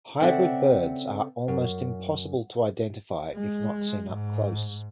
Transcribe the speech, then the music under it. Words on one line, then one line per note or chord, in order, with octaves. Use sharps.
Hybrid birds are almost impossible to identify if not seen up close.
C#3 C4 A4 D5 E5 F#5
F#2
G#3
G#2